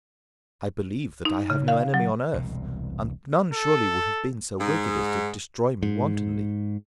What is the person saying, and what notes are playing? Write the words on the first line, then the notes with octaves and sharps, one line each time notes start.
I believe that I have no enemy on earth, and none surely would have been so wicked as to destroy me wantonly.
D#4
C#3
F5
F#3
E1 C2 B2
A4
G#2
G#2